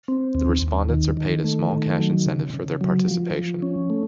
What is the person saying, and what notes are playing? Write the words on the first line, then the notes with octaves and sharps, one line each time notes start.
The respondents are paid a small cash incentive for their participation.
C4
D#2
D#2
D#3
D#3
A3
D#3
F#3
C#3
C#3
F#3
F3
F3
C#4
A3